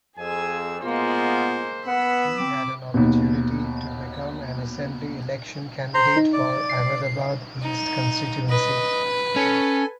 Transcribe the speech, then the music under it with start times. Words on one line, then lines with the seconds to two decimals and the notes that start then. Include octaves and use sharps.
He had an opportunity to become an assembly election candidate for Ahmedabad East constituency.
0.18 F2 G#4 G#5 E6
0.82 B2 G#3 A#3 B3 F4 C5
1.87 B3 F#5 B5 E6
2.37 C4 D6
2.94 D#2 B2
5.94 C5 A#5 C6
6.17 D#4
6.33 D5
6.69 C7
7.62 D#4
8.50 B4 D#5
9.36 C#4 A4 G#5